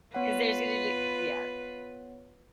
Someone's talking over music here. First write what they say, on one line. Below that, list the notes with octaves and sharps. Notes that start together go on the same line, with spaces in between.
'Cause there's gonna be Yeah.
B3 F4 B4 C#5 F#5